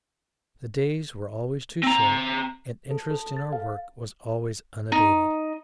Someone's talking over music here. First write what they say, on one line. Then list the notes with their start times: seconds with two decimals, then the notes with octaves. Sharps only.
The days were always too short, and interest in our work was always unabated.
1.83 C4 A#5
2.91 A4
3.11 A4
3.37 A6
3.53 F5
4.92 D#4